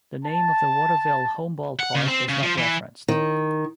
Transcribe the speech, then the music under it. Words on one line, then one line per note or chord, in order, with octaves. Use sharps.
The name of the Waterville home ballpark is not referenced.
A5
F#5
C#3
C4
C#3
F3
E3
D#3